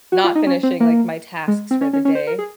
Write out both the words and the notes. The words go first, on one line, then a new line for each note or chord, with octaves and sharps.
not finishing, like, my tasks for the day,
F#4
F4
D#4
C#4
C4
A#3
G#3
C4
C#4
C#4
C#4
C5
A#4
G#4